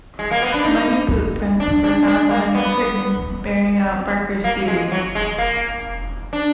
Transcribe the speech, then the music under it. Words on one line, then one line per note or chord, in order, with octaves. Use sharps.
Muddy boot-prints were found behind the curtains, bearing out Barker's theory.
G#3
A#3
B3
D4
D#4
D4
D4
D4
A#3
B3
A#3
G#3
F#3
G#3
A#3
D4